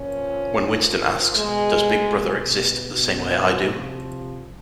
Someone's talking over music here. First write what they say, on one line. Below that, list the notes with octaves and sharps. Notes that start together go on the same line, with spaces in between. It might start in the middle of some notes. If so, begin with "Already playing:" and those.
When Winston asks Does Big Brother exist the same way I do?
Already playing: A#2 F3 C#4
A#2 F3
B2 G#3
B2
B2
C3 F3